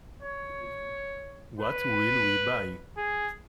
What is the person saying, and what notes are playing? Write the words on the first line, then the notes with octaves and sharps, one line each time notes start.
What will we buy?
C#5
B4
G#4